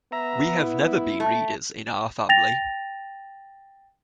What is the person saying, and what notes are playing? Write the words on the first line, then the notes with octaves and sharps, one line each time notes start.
We have never been readers in our family.
B3 E5 A#5
E4
A3
G5 A6 A#6 F7